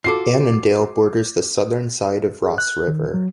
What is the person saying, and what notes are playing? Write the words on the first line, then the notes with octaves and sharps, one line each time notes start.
Annandale borders the southern side of Ross River.
F4 F#4 A4 D6 C7
G#4
F#6
D#3
F#3